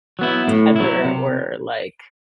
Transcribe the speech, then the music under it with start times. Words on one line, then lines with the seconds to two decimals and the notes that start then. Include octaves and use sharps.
tether or, like,
0.19 F#3 B3 E4
0.48 A2
0.76 F#3 B3 E4
1.04 C3